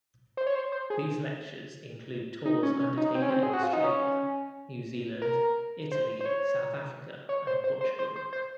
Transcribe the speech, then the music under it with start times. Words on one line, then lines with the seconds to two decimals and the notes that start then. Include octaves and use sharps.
These lectures include tours undertaken in Australia, New Zealand, Italy, South Africa and Portugal.
0.37 C5
0.47 C#5
0.55 C5
0.72 C5
0.90 G#4
2.45 D#4
2.63 C#4
2.80 C#4
2.97 D#4
3.15 C4
3.22 C#4
3.30 C4
3.43 G#4
3.53 F#4
3.63 F4
3.73 D#4
3.84 C#4
5.22 A#4
5.92 C5
6.21 C5
6.25 C#5
7.29 C#5
7.47 C5
7.64 C5
7.81 C5
7.99 C5
8.16 C5
8.33 C5